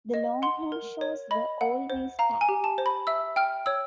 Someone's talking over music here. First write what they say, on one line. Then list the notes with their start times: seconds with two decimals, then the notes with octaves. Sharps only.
The Longhorn shows were always packed.
0.14 D#5
0.42 F#5 C6
0.72 A#4
1.01 C#5
1.31 D#5 B5
1.61 F#5
1.90 C5
2.19 F5 A#5
2.41 G#5
2.49 G4
2.64 A5
2.78 C5
2.86 B5
3.07 E5 E6
3.36 G5 F6
3.66 C#5 E6